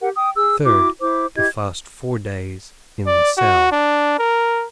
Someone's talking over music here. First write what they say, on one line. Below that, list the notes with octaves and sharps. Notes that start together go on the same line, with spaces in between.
Third.--To fast four days, in the cell.
G4 A#4 F#5
G5 D#6
G#4 E6
E4 F#4 D6
E4 C5 D6
E4 G4 D#5 G#6
D5
F#4
D4
A#4